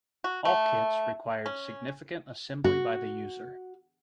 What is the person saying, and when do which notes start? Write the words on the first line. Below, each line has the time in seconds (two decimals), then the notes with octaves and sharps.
All kits required significant assembly by the user.
0.24 F#4
0.45 A3
1.46 C#4
2.64 F#4